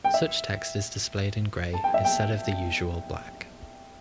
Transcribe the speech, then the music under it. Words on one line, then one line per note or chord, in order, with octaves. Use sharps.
Such text is displayed in gray instead of the usual black.
G5
E5
A5
G5
E5
G5